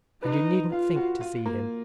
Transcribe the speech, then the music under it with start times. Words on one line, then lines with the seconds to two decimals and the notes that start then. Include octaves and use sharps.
And you needn't think to see him.
0.22 D#4 B4
0.71 F4 F5
0.96 F#4
1.21 F4
1.46 A#3